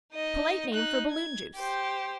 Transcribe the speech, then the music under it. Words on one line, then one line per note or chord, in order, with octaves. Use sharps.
A polite name for balloon juice.
D#4 D#5
D#4 F#6
G#6
G4 C5